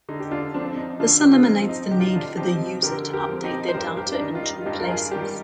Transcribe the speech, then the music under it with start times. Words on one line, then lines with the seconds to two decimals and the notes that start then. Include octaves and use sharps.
This eliminates the need for the user to update their data in two places.
0.09 D3 D#4
0.20 G4
0.31 D4 F4
0.54 F3 C4 D4
0.77 D#4
1.00 D3 D4 F4
1.20 G4
1.33 F4
1.46 F3 C4 D#4
1.69 D#4
1.91 D3 G4
2.00 F4
2.07 D#4
2.15 D4 F4
2.37 F3 C4 D#4 G4
2.83 D3 G4 A#4
3.13 G4 A#4
3.28 F3 C4
3.44 D#4 G4
3.69 C5
3.74 G2 G4 A#4
3.97 G4 A#4
4.12 D4
4.20 D#3 G3 D#4
4.35 F4
4.44 D#4
4.62 F4
4.66 G2 D#4 G4
4.80 A#4
4.88 F4 G#4
5.11 G3 G4 A#4
5.16 D#3